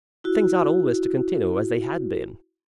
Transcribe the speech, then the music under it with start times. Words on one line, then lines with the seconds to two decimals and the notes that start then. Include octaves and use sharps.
Things ought always to continue as they had been.
0.24 E4 F#4